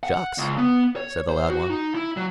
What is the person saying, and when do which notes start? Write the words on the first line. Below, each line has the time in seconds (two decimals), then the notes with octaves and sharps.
"Shucks!" said the loud one.
0.03 F#5
0.38 C#2
0.57 B3
0.96 C#5
1.29 C5
1.49 F#4
1.70 D#4
1.95 E4
2.17 F#3